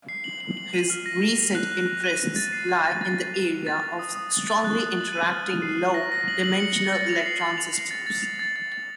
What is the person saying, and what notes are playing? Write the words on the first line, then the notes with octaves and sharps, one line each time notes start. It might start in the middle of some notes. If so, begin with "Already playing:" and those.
His recent interests lie in the area of strongly interacting low-dimensional electron systems.
C7
F#7
F#7
F#7
D#7
F6
A#6
F7
F7
F#6
F#6
F#6
D#7
D#7
A6
C7
A6
A6
A6
A6
F7
F7
A6
A6
D#6
D#6
A6
A6
F#6
D#6
F#7
D#7
F6
F6
C7
D#7
A#6
A#6
F#7
F#7
C#7
C#7
A6
F7
C7
A6
F7
C7
A6
A6
F7
A6
A6
A6